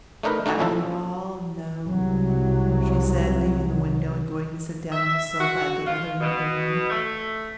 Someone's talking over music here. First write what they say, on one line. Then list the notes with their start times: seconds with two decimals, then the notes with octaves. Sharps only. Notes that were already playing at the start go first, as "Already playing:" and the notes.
"After all, no," she said, leaving the window and going to sit down on the sofa at the other end of the room.
0.23 A3 D4 D#4 A#4 B4
0.46 A3 D4 D#4 F#4
0.59 A#1 F3 C#4 E4 A4
1.85 C2 F#3
4.92 E5
5.40 F#4
5.87 F4
6.21 B2
6.90 A3